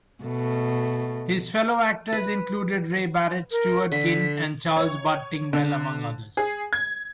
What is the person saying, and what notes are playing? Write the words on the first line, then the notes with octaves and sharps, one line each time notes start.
His fellow actors included Ray Barrett, Stewart Ginn and Charles "Bud" Tingwell, among others.
B2 A3
B4
A#4
D3 B6
C#5
D3
G#4
G#6